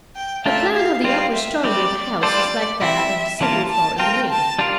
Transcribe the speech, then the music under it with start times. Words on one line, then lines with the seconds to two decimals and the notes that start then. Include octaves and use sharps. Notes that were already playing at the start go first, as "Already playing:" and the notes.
The plan of the upper story of the house was like that of the second floor, in the main.
0.16 G5
0.45 A3 D4 F4 A#4 E5
0.76 F5
1.04 G3 C4 F4 F5
1.34 E5
1.64 G3 C4 G4 D5
2.23 G3 D4 F4 A4 C5 D5
2.81 G3 C4 E4 E5
3.41 E3 G3 A#3 F4 A#4 A5
3.70 A5
3.99 C4 F4 A#4 G5
4.30 A5
4.59 G3 D4 F4 A#4